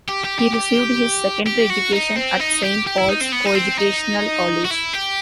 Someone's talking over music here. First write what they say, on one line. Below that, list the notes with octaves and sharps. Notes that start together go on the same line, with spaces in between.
He received his secondary education at Saint Paul's Co-educational College.
G4
G4
G4
G4
G4
F#4
D#4
C4
D#4
G4
G4
E4
D#4
C4
B3
D#4
C4
D#4
F#4
E4
G4